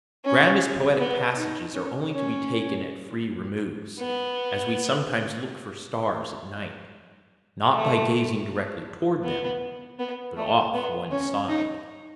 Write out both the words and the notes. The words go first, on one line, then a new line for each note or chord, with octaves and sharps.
Grandest poetic passages are only to be taken at free removes, as we sometimes look for stars at night, not by gazing directly toward them, but off one side.
C#4
B3
D#4
C#4
C#4
B3
A3
B3
B3
A3
B3
C#4
D#4